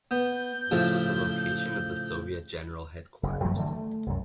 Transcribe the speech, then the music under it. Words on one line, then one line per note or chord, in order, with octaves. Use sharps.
This was the location of the Soviet general headquarters.
B3 G6
A2 C#3 F3
F#1 F#2
F#2 F3 F#3 A3
D3 E3 F#3 A3
A3
C2 F#2